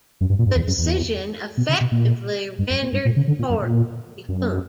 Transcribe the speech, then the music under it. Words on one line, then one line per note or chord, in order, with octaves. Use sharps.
The decision effectively rendered the Court defunct.
F#2
G2
A#2
G2
E2
F#2
E2
B2
C#3
B2
A#2
G2
F#2
A#2
G2
A#2
C#3
D3
A#2
F#2
A#2
F#2